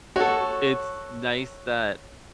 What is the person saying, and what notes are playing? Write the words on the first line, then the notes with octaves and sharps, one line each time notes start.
it's nice that
F#4 A4 C#5